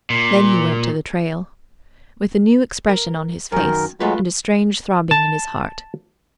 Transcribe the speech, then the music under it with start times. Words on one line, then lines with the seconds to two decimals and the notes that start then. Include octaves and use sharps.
Then he went to the trail, with a new expression on his face and a strange throbbing in his heart.
0.10 A#2
2.89 A#4
3.52 F#2 D#3 A#4
4.00 F#3 G#3 A3 F4 B4
5.11 A5